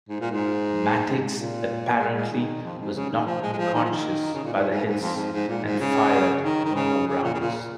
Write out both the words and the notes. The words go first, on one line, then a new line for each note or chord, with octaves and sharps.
Matix apparently was knocked unconscious by the hits and fired no more rounds.
G#2
A#2
G#2
A#2
G#3
G#3
D#3
F2
G#2
C#3
D#3
F3
G#3
G#3
F3
D#3
F3
D#3
C#3
A#2
G#2
G#2
G#2
F2
G#2
G#2
A#2
G#2
C#3
D#3
D#3
C#3
C#3
A#2
C#3
A#2